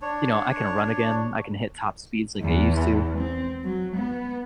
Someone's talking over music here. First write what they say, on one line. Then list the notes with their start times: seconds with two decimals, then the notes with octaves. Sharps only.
you know, I can run again, I can hit top speeds like I used to,
0.02 D4 C#5
2.42 E2 E3
3.18 C4
3.63 F#3
3.96 B3